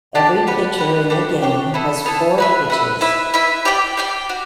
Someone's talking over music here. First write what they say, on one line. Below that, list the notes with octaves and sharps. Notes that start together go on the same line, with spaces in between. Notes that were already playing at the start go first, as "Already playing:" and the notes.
Every pitcher in the game has four pitches.
D4 G4 D5 A5
G4 B4 F#5
G4 B4 F#5
D4 G4 C#5 G5
D4 G4 C#5 G5
B3 E4 A4
B3 E4 A4
F#4 B4 E5
F#4 B4 E5
E4 B4 E5
E4 B4 E5
G4 D5 G5
G4 D5 G5
F#4